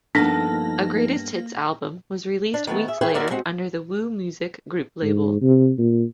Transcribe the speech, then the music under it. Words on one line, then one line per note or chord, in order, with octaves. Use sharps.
A Greatest Hits album was released weeks later under the WuMusic Group label.
G2 F3 A#3 B3 D4 D#4 A4 A#6
D4
D#3 A3 B3
G#4 E5
G#4 B4 C#5 E5 G5
D#2 F#4 A#4 D5 E5
G#3 C4 F#4 G4
G#2
C3
A#2